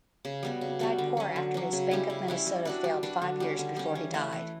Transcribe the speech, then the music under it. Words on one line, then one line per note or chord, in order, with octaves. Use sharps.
He died poor after his Bank of Minnesota failed five years before he died.
C#3
G3 B3 F#4
C#3
G3 B3 F#4
D3
F#3 C#4
D3
F#3 C#4
C#3
G3 C#4 E4
C#3
G3 C#4 E4
G3
D4 F#4 B4
G3
D4 F#4 B4
D3
G3 C#4
D3
G3 C#4
E3
A3 E4 B4
E3